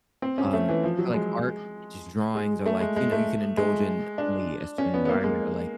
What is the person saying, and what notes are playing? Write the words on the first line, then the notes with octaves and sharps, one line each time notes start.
um, I feel like art just drawings are like, you know, you can indulge in only a certain environment, or, like,
C4
C#4
A3
E3
F3
F#3
G#3
G#3
A3
G#3
G#3
A3
G#3
D4
C#4
B3
B3
A#3
G#3